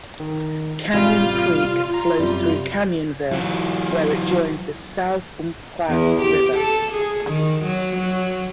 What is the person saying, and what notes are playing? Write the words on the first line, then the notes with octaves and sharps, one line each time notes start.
Canyon Creek flows through Canyonville, where it joins the South Umpqua River.
D#3
A1 C3 G3 F4
A#5
F#2 C3 G3
E3 F#3
E2
G4
A4
G#4
D#3
F#3
F#3